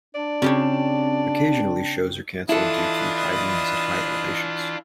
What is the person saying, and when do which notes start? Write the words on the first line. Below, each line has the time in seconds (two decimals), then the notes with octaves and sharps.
Occasionally shows are canceled due to high winds at high elevations.
0.15 D4 D5
0.42 C#3 C4 G4 C#5 G5
2.49 E3 D4 E4 F4 A4 B4 D#5